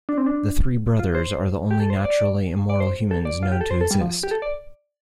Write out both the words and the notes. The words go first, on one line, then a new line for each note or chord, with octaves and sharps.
The three brothers are the only naturally immortal humans known to exist.
D4
C4
D4
F4
C5
G4
A4
C5
D5
D5
C5
A4
D5
F4
G4
A4
C5
A4
G3
F3
G4
A4
D5